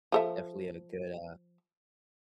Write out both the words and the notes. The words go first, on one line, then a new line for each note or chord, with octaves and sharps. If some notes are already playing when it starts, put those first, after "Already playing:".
definitely had a good, uh
F3 A4 E5